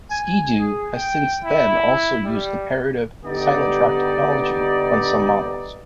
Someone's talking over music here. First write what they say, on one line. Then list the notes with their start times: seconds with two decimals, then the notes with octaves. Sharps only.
Ski-Doo has since then also used comparative "silent track technology" on some models.
0.11 G#5
0.59 G#4
0.96 G5
1.44 E4
2.26 G3
3.25 D3 G3 B3 D#4 G4 D5